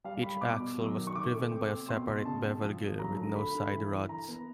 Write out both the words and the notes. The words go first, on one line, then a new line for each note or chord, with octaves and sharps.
Each axle was driven by a separate bevel gear, with no side rods.
G3 F5
G3 B5
B2 D6
B2
F#3
D#3
C#6
C3 D6
A3
C4
C4
B2 C6
B2
C#3 A5
C4
F3
F3
F#3 A#5
D3 A#5
A3 B5
D3
E3
E3
E3 A#5
B3